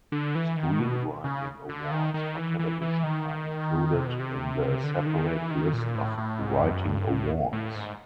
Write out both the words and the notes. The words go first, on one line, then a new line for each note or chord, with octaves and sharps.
Screenwriting awards for television are included in the separate list of writing awards.
D3
E3
D#3
B2
C#3
D3
D#3
D#3
E3
E3
E3
D#3
C3
B2
C3
D3
D#3
E3
D#3
A#2
A2
A2
G#2
F#2
G2
A2
A2
G#2